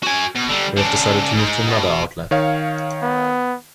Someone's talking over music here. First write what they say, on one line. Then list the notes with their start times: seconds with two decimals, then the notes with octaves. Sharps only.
We have decided to move to another outlet.
0.03 F#4 G#5
0.36 B2
0.49 D3 G3
0.77 C#3 D4
1.33 G#2 G#3
1.68 B2
2.31 D#3 C#5 F5
3.02 B3